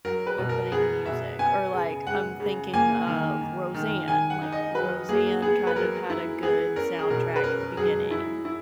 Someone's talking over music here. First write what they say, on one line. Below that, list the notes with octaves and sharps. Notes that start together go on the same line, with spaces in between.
opening music. Or, like, I'm thinking of Roseanne. Like, Roseanne kind of had a good soundtrack at the beginning.
F#3 A#4
B4
B2
A#4
B3 G#4
B2 E5
B3 G#5
C#3
G#3 F#5
C#3
A#3 G#5
D#3
D#3
D#3
D#3 G#5
F#5
D#4
D#5
F#3 B4
A#3 G#4
B3 G#4
B4
F#3 A#4
E4
B3 G#4
C#4 A#4
G#4
B2 A#4
B4
C#4 A#4
F#3 G#4
E4
E4